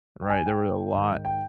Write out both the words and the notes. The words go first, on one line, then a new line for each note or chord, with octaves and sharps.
right? There were a lot
G5
G#5
G5
G#2 D#3
G5